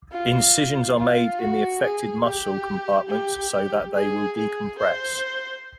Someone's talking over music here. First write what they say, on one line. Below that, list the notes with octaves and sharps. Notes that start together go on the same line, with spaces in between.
Incisions are made in the affected muscle compartments so that they will decompress.
F4
F4
F#4
G#4
G4
G4
G#4
G#4
C5